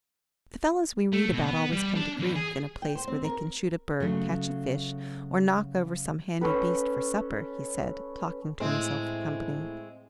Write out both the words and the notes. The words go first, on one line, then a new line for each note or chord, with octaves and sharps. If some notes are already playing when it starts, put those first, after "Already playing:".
"The fellows we read about always come to grief in a place where they can shoot a bird, catch a fish, or knock over some handy beast for supper," he said, talking to himself for company.
A3
B2
B3
G3
D4
E2
G#4
G5
C5
C4
A#4
C#3 F#3 A3
C#4 A4 B4
A2 G#3 C4